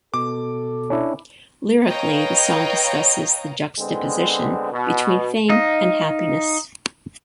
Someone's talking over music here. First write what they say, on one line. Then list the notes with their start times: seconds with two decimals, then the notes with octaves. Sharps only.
Lyrically the song discusses the juxtaposition between fame and happiness.
0.14 B2 A4 D6
0.90 C#4 D4 E4
1.88 B4 C#5 D#5 F5 G5 A#5
3.79 D3 G#3 B3 C4
4.72 B2
5.49 D#4 D#5 F5